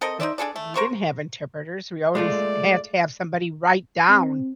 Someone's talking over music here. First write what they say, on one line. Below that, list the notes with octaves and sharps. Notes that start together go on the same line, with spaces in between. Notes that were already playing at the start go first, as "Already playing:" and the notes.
and we didn't have interpreters, we already s had to have somebody write down
C4 A4 A#4 D#5
D#4 C5 D5 E5
D4 G#4 A4 D5
A3
C3 A#4 C5 C#6
G#3 A3 F4 D5
C4